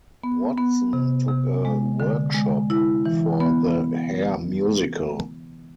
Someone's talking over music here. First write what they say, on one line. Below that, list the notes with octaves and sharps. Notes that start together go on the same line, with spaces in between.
Watson took a workshop for the "Hair" musical.
B3
B3
C3
C3
G#3
D3
G#3
E4
E3
B3